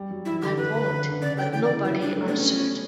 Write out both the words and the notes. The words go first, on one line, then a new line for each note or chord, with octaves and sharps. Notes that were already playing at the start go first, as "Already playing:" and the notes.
I phoned but nobody answered.
Already playing: G3
F#3
E3 E4
D3 G4
D3 B4
D3
D3
C#3 D5
D3 G5
E3 G5
D5
E3
F#3 E4
G3 D4
A3
B3 D4
C#4